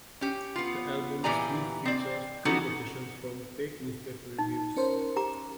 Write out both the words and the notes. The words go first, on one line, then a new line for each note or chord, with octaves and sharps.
The album sleeve features three quotations from fake newspaper reviews.
C#4 G4
B3 F4
A#2 E3 G4 D5 G#5 A#5
C4 D5
B3 C#4 D#4 F#4 G4 A4
D#4
C#4 A#4 C5
G4 A#5 D6